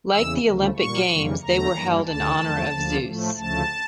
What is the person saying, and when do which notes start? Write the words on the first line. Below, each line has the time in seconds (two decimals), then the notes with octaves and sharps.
Like the Olympic Games, they were held in honour of Zeus.
0.11 E2 C#3 E3 E6
0.44 D2 C#3 F3 A3
0.77 A#2 G3 A#3 C#6
1.09 F2 C#3 E3 G3 A#3
1.42 E2 D3 A3 A#5
1.74 G2 E3 G3 A#3
2.06 D2 D3 A3 A5
2.39 E2 D3 F3 A3
2.72 D2 D3 F3 A#3
3.04 A2 F3 A3
3.36 D2 C#3 F3 A3 A5